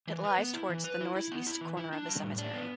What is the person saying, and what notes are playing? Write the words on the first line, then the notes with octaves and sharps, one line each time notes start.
It lies towards the north-east corner of the cemetery.
E3
B4
B3
E4
E3
B4
E4
E4
B3
E4
E3
E4
D4
G3
A2
D4
B3